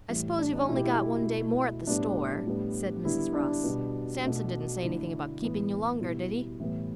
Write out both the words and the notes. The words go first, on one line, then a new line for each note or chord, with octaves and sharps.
"I s'pose you've only got one day more at the store," said Mrs. Ross. "Sampson didn't say anything about keeping you longer, did he?"
A2 E3 G3
D4
D4
B2 A3 E4
G4
E4
B2 A3
A2 G3 B3 D4
A2 G3 B3
D3 G3 B3 E4
D4
B2 G3 B3
B2 A3
D3 A3 E4
A2 E3 B3
B2 G3 B3 E4
A2 E3 G3 B3